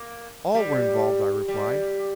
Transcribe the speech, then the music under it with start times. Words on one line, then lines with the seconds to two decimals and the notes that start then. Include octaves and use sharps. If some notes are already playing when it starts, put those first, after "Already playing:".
"All were involved," I replied.
Already playing: A#3
0.54 G3
1.48 G3